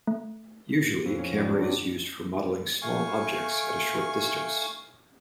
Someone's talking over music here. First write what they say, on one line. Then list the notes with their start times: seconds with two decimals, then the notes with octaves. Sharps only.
Usually, camera is used for modeling small objects at a short distance.
0.07 A3
1.05 F2
1.18 C#4
1.37 G3
1.49 E2
1.62 D4
2.82 A3 F5 G#5 C#6